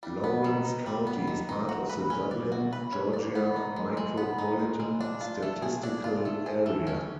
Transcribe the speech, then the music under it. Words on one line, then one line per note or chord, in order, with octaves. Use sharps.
Laurens County is part of the Dublin, Georgia Micropolitan Statistical Area.
G3
B3
D#3
D#4
G3
B3
D#3
D#4
F#4
B4
C#4
D5
F#4
B4
C#4
D5
B3
D#4
G#3
G#3
B3
D#4
G#3
G#3
D4
F4
A3
G#4
D4
F4
A3
G#4
A3
C#4